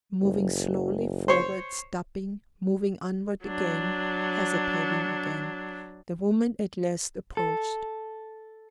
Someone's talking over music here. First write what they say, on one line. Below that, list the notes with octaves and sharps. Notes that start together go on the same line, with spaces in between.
Moving slowly forward--stopping--moving onward again--hesitating again--the woman at last approached.
F#1
C5 C#5
F#3 D4
A4